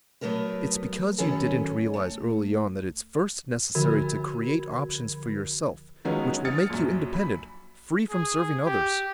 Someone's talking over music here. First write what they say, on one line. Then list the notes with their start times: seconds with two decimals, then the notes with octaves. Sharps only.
It's because you didn't realize early on that it's first necessary to create options for yourself which will make you independent, free from serving others.
0.21 F#3 A3 B3 A#4 B4
1.18 D#3 F#3 B3 C#4 G#4 A4
1.94 A3
3.75 D3 F3 F#4 A#4 B5 G#6
6.05 D#3 F3 F#3 G#3 B3 C#4
6.45 D#6 F6 A6 C#7
6.70 A#1 F#2
7.13 B5
8.10 G#4
8.66 G4